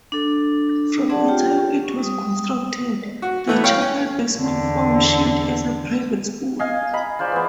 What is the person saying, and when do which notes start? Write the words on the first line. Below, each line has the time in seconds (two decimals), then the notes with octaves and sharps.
From the time it was constructed, the chapel basement functioned as a private school.
0.12 D4 A4
1.09 C4 D4 G#4 D5 F#5 A5
1.27 F4 G4 C#5 G5
1.83 C#6
1.99 G3 D#6
3.22 F#4
3.47 E3 A3 B3
3.64 C#5 F5 G5
3.81 C#4
4.40 E2 D3
6.59 D#5 F5 G#5
6.93 D#5 A#5 B5
7.19 F4 G#4 C5 D5
7.32 E3 B3